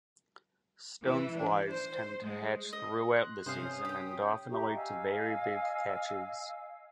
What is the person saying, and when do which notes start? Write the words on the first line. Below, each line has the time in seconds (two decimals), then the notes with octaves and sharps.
Stoneflies tend to hatch throughout the season, and often lead to very big catches.
1.05 E3
1.38 D4
1.70 C5
2.21 G#3
2.73 D#5
3.15 C6 F#6
3.46 G2 C3 C#4 C5 F5 D#6
3.65 C#4
3.85 G4 G5
4.51 G4 E5 A#5 C#6
4.75 D#5 F5 G#5 E6